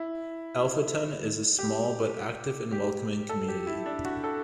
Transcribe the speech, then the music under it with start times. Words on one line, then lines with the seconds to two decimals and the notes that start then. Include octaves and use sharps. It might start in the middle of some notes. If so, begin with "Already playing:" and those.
Alpheton is a small but active and welcoming community.
Already playing: E4
1.59 G4
2.72 G4
3.29 A4
3.48 G4
3.67 E4
3.86 D4
4.05 F#4
4.24 A4